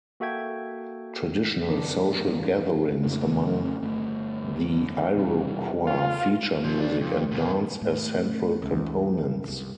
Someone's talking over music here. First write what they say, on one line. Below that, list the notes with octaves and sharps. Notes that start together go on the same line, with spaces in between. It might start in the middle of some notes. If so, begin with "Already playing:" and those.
Traditional social gatherings among the Iroquois feature music and dance as central components.
A#3 F#4 A4 E5 G5 G#6
F#2 D#3 B3 D4
E2 G2 D#3 A#3
F2 C#3 A3
G1 A3
E1 C3 G3 C4
F4
A#2 F3
D2 D4
F2
B2 A#3
A2
C#2
F#1
C2